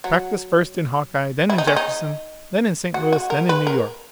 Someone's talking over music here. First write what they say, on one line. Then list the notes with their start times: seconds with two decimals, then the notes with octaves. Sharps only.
Practice first in Hawkeye, then in Jefferson, then in St. Louis, then in New York!
0.04 F#3
1.50 E4
1.58 D#4
1.67 C#4
1.76 D#4
2.94 F#4
3.13 F#4
3.30 A#4
3.49 B4
3.67 A#4